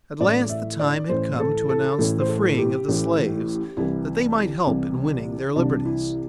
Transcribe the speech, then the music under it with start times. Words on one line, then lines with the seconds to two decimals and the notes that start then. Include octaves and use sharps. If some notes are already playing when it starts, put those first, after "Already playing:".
At last the time had come to announce the freeing of the slaves that they might help in winning their liberties.
0.20 A1 A2 E3 D5
0.49 E5
0.79 D5
1.09 A1 A2 E3 C5
1.40 A4
1.69 A4
1.98 A1 A2 E3 E4
2.20 C5
2.29 A4
2.58 G4
2.88 A1 A2 E3
3.77 C2 C3 E3 E4
4.67 C2 C3 E3
5.56 C2 C3 E3 D4
5.85 E4